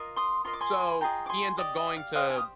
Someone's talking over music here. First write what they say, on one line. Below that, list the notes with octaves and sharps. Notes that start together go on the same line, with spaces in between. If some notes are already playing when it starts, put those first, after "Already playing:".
So, he ends up going to
Already playing: F4 A#4 D#5
C6 D#6
F4 A#4 D#5 C6
D6
G#5 C6
F4 G#4 D#5 G5 A#5
D6
G#5 C6
G4 D5 D#5
D#5
F5
G4 C5 D#5 F5
F5 G#5
D#6